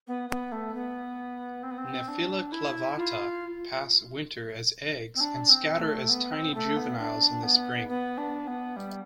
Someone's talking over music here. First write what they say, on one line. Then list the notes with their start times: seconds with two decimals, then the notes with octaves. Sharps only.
"Nephila clavata" pass winter as eggs and scatter as tiny juveniles in the spring.
0.07 B3
0.29 B3
0.51 A3
0.74 B3
1.63 C4
1.70 B3
1.77 C4
2.08 D4
2.52 E4
2.97 F4
5.15 C4
5.20 D4
5.49 C4
5.79 A3
6.09 B3
6.32 C4
6.54 A3
6.76 B3
6.98 D4
7.43 B3
7.88 B3
8.17 D4
8.47 B3
8.76 G3